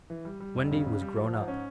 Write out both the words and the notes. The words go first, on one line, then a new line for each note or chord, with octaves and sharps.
Wendy was grown up.
E3
G3
G3
F1
C#3
C#3
G3
F3
G#2
C#4